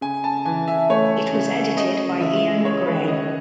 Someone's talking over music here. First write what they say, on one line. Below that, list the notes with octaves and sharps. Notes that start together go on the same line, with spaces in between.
It was edited by Ian Gray.
C#3 G#5
A5
E3 G#5
E5
A3 C#5
C#3
C#3 D#5
E3 E5
G#3 C#5
B4
C#3 D#5